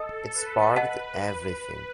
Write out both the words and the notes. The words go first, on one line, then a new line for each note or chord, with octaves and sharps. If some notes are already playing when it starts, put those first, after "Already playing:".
It sparked everything.
Already playing: A4 D#5 A5 D#6
B4
B4 D#5 F#5 A5